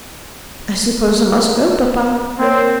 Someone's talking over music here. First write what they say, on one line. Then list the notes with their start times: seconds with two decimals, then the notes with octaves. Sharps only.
"I suppose I must go, papa?"
2.39 A#3 C4 A#4 C#5